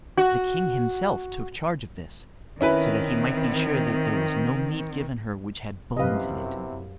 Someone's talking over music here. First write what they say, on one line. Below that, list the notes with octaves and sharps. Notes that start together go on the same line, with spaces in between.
The king himself took charge of this, so that he might be sure that there was no meat given her which had bones in it.
F#4
D#3 C4 C#4 E4 B4
F#2 C3 B3 E4 G4 B4 D#5 F5